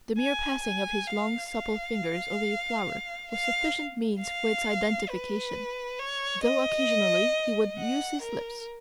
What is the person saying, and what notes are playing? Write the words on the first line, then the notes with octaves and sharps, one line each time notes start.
The mere passing of his long supple fingers over a flower was sufficient means for its identification, though occasionally he would use his lips.
G#5
G#5
F5
F5
F5
F5
B4
C#5
D#5
F#5
A#4